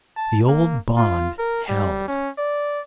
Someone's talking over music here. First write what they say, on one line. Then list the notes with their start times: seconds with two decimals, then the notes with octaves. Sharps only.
The old bond held.
0.17 A5
0.48 A#3
0.98 F4
1.39 A#4
1.69 G3
2.08 C#4
2.38 D5